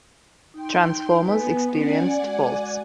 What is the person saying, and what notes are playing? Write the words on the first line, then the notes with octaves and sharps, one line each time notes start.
Transformers experienced faults.
D#4 G5 C6
B3 B4 G#5
C#4 D5 F#5 G#5
G#3 F#4